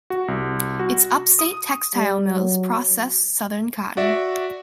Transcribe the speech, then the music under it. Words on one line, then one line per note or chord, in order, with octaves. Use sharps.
Its upstate textile mills processed southern cotton.
F#4
C2
F#4
D#6
G3
F#3
F#4 D5 E5